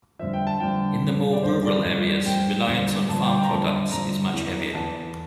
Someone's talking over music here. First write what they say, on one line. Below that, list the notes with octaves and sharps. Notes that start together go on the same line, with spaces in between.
In the more rural areas, reliance on farm products is much heavier.
G2 D3 F3 E5
G5
A5
G2 D3 F3 G5
G2 F3
D5
G2 F3 C5
D5
G2 F3
G2 F3 G5
G2 D3 F3
G2 D3 F3 A5
G5
G5
A#5
G2 D3 F3 A5
G2 D3 F3 A#5
E2 E3
E2 E3 A5